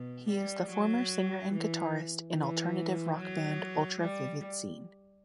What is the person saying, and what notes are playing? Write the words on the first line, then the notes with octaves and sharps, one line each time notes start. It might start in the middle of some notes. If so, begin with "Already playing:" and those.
He is the former singer and guitarist in alternative rock band Ultra Vivid Scene.
Already playing: B2
G3
F#3
E3
E3
F#3
G3